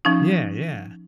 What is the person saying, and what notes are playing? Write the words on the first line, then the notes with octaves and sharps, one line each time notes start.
Yeah. Yeah.
F3 C#4 D#4